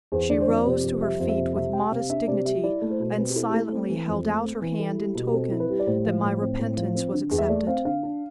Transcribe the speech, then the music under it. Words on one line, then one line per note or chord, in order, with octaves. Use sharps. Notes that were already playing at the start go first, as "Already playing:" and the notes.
She rose to her feet with modest dignity, and silently held out her hand in token that my repentance was accepted.
E2 C5
D3 D5
C5
F2 D5
C3
F2
G3 E5
F2
E5
C3
C3 E5
G3 G5
C3 F5
D4 E5
C3 D5
G3 E5
E4 D5
A3
C5
B2
C4 B4
G4
E4 A4
G4
A3 A4
C4
E3
F2
A3
C4
E3
E4 A4
G3
B2
G4
C4 A4
E4
B4
G3
D5
A2 C5
F3
A2
C4
A2
F3
C4
D3
E2
E5
A3 D5
C4 F5
D3 F5
D4